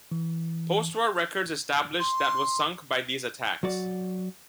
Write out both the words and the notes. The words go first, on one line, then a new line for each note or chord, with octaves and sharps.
Postwar records established that was sunk by these attacks.
E3
C6
F#3 F#4 D5